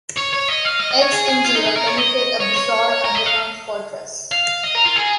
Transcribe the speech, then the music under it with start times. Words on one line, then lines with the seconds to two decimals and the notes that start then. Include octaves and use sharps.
X and Zero penetrate a bizarre underground fortress.
0.17 C#5
0.33 C#5
0.48 D#5
0.65 F5
0.81 D#5
0.91 D#5
1.02 C#5
1.12 G#4
1.29 G#4
1.45 F4
1.56 D#4
1.66 G#4
1.77 A#4
1.87 C#5
1.98 D#5
2.40 C#5
2.56 C#5
3.05 A#4
3.15 D#5
3.26 F5
4.32 F5
4.64 D#5
4.75 A#4
4.85 F4
4.96 G#4